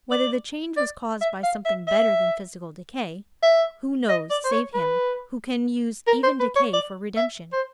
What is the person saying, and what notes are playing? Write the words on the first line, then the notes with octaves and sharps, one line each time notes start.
Whether the change was caused by something better than physical decay, who knows save him who can use even decay for redemption?
D5
D5
E5
F5
E5
E5
E5
D#5
D5
C5
C#5
B4
A#4
C5
B4
C#5
D5
E5
C5